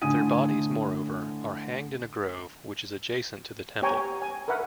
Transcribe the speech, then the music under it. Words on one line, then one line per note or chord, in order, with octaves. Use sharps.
Their bodies, moreover, are hanged in a grove which is adjacent to the temple.
A2 D3 A3 G#5 D#6 D#7
B3 G4 C#5 G5 G#5 A#5
G#5
A#4 B4 E5 F#5